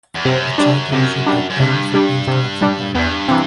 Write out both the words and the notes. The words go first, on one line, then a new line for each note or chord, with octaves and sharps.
A charter issued by Fergus appears to have survived.
E2
F#2 C3
G3 D4
F#2 C3
G3 D4
F#2
G2 C3
G3 D4
C3
G3 D4
E2 G2
C3 E3